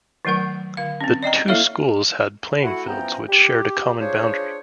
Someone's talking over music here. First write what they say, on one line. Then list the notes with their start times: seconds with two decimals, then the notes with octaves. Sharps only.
The two schools had playing fields which shared a common boundary.
0.25 D#3 F#3 A3 A#4 F#5
0.77 D3 F5
1.01 C4 C#4
1.23 D5 D#5 G5 A#5
1.48 A#3 E4 A4 C#5 E5 F5
2.62 A3 E4 F#4 F#5
2.86 E3 F3 B3 C#4 G5 A#5
3.27 G4
3.99 D4 F4 G#4 C5 C#5